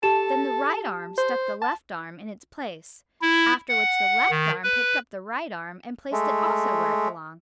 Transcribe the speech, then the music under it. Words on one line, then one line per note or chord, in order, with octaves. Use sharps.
Then the right arm stuck the left arm in its place, after which the left arm picked up the right arm and placed it also where it belonged.
G4 A4 A5 E7
C5
A5
E4
F#5
D#3
B4
G#3 A3